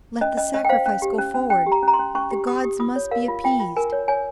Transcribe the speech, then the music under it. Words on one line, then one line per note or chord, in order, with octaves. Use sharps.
Let the sacrifice go forward; the gods must be appeased.
C#4 D#5
C#4 D#5
C#4 D#5
G5
C5 F5
C#4
G4
C#4
C#4
C#4 G5
G4
A#5
C#4 A#5
C6
C#4
C#4 C#6
G4
G4 D#6
G4
F4 D#6
C#5
A#4 F5
F4
F4 G5
F4
A#4 G#5
C#5
C#5 G#5